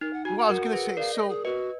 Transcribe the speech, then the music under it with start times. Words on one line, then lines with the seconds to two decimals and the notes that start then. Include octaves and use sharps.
Well, I was gonna say so
0.01 D#4 A#4
0.13 F#5
0.25 F#4 G#5
0.38 F#5
0.49 F#4 A#4
0.73 G#4 B4
0.97 A#4 D5 F5
1.13 D#5
1.29 G#4
1.44 F#4 B4 D#5